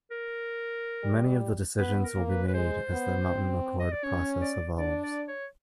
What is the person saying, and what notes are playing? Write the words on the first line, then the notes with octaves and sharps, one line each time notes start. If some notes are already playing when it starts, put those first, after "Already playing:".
Many of the decisions will be made as the Mountain Accord process evolves.
A#4
G3
B3 B4
A#4
A#3
B4
B4
G#3 C5
B3
C4
D#5
D5
C#4 C#5
D5
D4 D5
D5
C#5